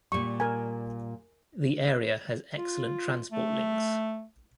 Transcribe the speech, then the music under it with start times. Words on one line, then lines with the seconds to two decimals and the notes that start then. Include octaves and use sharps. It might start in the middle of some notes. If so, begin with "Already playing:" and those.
The area has excellent transport links.
0.12 A#2 G3 C#6
0.40 A#4 G#5
2.58 F4
3.32 A3